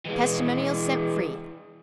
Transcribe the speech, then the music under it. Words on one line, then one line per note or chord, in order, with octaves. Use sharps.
Testimonials SENT FREE.
E3 G#3